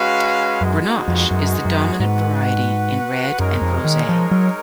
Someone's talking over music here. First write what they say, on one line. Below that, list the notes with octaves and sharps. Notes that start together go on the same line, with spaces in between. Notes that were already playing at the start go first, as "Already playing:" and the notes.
Grenache is the dominant variety in Red and Rosé.
Already playing: G#3 C#4 F#4 B4 F5
F#2 G#3 B3 D#4 F#4
F2
F#2
F#2
G#2 F#4 B4 F#5
F#2 G#3 D#4 A#4 C#5
F2
D#3
F3
F#3